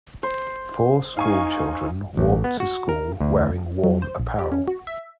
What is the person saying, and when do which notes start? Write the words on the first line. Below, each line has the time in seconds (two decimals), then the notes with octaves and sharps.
Four school children walk to school wearing warm apparel.
0.23 C5
1.17 D#4 F5 G#5 C#6
2.17 A1
2.44 B3
2.60 F#4
2.89 A#4
3.20 D2
3.84 F#3
4.02 C5
4.20 A#1
4.39 G4
4.52 C#4
4.68 F#4
4.87 E5